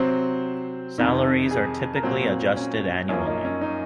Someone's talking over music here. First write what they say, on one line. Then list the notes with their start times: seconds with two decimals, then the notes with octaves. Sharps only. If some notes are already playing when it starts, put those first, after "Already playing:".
Salaries are typically adjusted annually.
Already playing: C3 F#3 C4 C5
0.98 F2 C3 D#3
1.51 G#4
1.96 A#4
2.03 A#2 F#3 C4 C5
2.56 C#4
3.09 F#2 F3 A#3 C#4
3.26 D#4
3.44 C#4
3.61 D#4